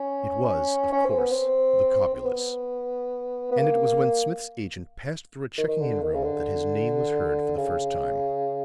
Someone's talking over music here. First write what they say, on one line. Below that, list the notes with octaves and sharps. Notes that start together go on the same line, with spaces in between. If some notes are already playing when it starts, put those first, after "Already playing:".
It was, of course, the Cobulus; and it was when Smith's agent passed through a checking-in room that his name was heard for the first time.
Already playing: C#4
C#4
C4
B3
C4
C4
B3
B3
A#3
D#3
D#3
D3
D#3
C#3
D3
C#3